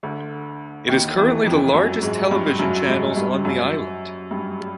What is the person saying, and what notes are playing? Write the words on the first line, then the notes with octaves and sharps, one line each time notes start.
It is currently the largest television channels on the island.
D2 D3
D#2 D#3
E2 E3
F2 F3
F#2 F#3
G#2 G#3
G2 G3
F#2 F#3
G#2 G#3
G2 G3
F#2 F#3
G2 G3
G3